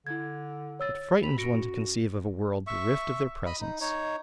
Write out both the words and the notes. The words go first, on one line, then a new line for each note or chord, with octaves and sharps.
It frightens one to conceive of a world bereft of their presence.
D3 E4 G#6
C#5 E6 A6
G4 B5 F7
F#2 F#4 A#6 C#7 D7
E5 C#6
D#5 B5
D#4
D#4 C#5